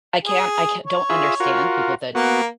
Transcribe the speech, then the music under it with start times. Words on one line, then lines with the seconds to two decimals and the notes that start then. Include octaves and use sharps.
I can't, I can don't understand people that
0.25 G#4
0.86 C#5
1.10 F4 G#4 E5
1.40 F4 F#4 A#4
2.15 A#3 B3 F#4